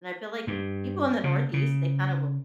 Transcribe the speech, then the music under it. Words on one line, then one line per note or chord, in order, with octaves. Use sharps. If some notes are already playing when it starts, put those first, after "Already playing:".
and I feel like people in the Northeast, they kind of will
G2
C#3
C#3